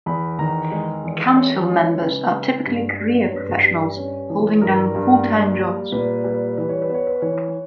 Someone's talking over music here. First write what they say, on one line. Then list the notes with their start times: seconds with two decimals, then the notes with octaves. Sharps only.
Council members are typically career professionals holding down full-time jobs.
0.06 E2 B5
0.39 D#3 A#5
0.71 G#3
1.04 E2
1.36 C#4 C#5
1.69 G#3
2.01 C#3 B4
2.34 G#3
2.66 G2
2.99 G3
3.23 C#5
3.31 G2 B4
3.64 G3
3.97 C#4
4.30 E3
4.61 G2 A#4
4.95 G2
5.27 A#3
5.59 G3
5.92 A#2 B4
6.24 G3 B4
6.57 E3 B4
6.69 C#5
6.82 B4
6.89 B3 C#5
7.07 B4
7.22 E3 C#5